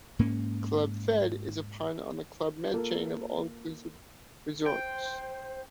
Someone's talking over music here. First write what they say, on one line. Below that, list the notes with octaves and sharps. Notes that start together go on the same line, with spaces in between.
"Club Fed" is a pun on the "Club Med" chain of all-inclusive resorts.
G#2 A#3 C#4
A#3 F4 A4 A#4
C5 G5